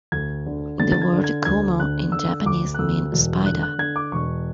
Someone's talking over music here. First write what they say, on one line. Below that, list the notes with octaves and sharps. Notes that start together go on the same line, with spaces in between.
The word "kumo" in Japanese means "spider".
D2 G#6
D3
D3 A6
A6
G#6
D3
G#6
D2 G#6
D3 F#6
D3 E6
D2 D6
F#6
D2 E6
E1
D3 F#6
F#6
D3 G#6
D6
E1 C#6